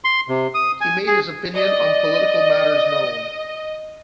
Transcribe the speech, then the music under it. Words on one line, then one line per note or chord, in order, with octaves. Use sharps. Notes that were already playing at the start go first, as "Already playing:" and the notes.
He made his opinions on political matters known.
C6
C3
D#6
G#5
G#4
D5 D#5